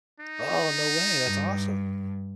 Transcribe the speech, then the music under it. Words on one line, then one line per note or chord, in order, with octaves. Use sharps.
Oh, no way. That's awesome.
D#4
G2